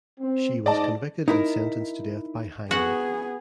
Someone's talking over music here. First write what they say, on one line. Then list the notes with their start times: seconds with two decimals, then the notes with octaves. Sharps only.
She was convicted and sentenced to death by hanging.
0.20 C4
0.66 G#2 D5 D#5 A5
1.28 D#4 E4 A#4
2.71 B3 F#4 G#4 F#5